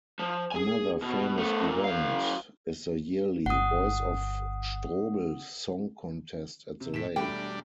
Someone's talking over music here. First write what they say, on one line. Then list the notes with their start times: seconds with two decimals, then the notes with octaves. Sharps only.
Another famous event is the yearly "Voice of Strobl" song contest at the lake.
0.19 F3
0.52 G#4 G#5
1.02 B2
1.38 A3 B3
1.68 A#2
1.84 F#2 F5
3.46 G1 F#5 D#6
6.80 C3
6.94 A2 B6 D7 E7
7.16 E1 G3 A3 D4 G5 B5